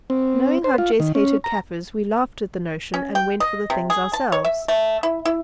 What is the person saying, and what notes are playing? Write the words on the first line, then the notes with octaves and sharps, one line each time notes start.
Knowing how Jess hated kaffirs we laughed at the notion, and went for the things ourselves.
C4
C5
F4
D#3
C#4
A#5
C#4
G5
D#5
C3
G#4
A5
C#5
E5
A3
E4
E4